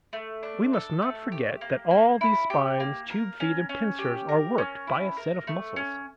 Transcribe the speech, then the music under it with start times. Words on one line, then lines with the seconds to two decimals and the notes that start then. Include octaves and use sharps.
We must not forget that all these spines, tube-feet, and pincers are worked by a set of muscles.
0.13 A3
0.43 D4
0.73 A4
1.02 A3
1.32 G4
1.61 A#3
1.91 A#3
2.21 E4
2.50 G4
2.80 A#3
3.10 A#4
3.40 C#4
3.69 C#4
3.99 G4
4.29 A#4
4.58 C#4
4.87 E4
5.17 A#4
5.47 A3
5.76 C#4